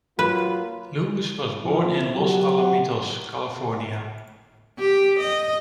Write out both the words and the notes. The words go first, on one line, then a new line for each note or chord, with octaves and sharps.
Lewis was born in Los Alamitos, California.
F#3 A#3 F4 B4
F3 E4
F#3 F#4 G4 F#5
G4
D#5